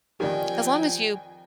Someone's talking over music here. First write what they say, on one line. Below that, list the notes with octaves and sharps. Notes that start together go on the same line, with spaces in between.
as long as you
F2 D#3 F3 G4 A#4 D5 G5 G#5